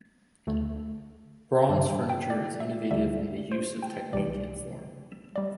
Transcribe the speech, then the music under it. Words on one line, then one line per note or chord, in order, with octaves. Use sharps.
Broun's furniture is innovative in the use of technique and form.
D2 D3 A3
G2 G3 A5
G5
G5
D5
E5
D2 D3 G3 E5
C5
G5
C2 C3 E3 D5
G3 D5